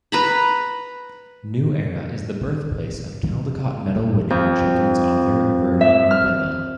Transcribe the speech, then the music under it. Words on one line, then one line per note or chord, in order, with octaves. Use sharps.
New Era is the birthplace of Caldecott Medal-winning children's author Verna Aardema.
B4 A#5 B5
F2
E5
F6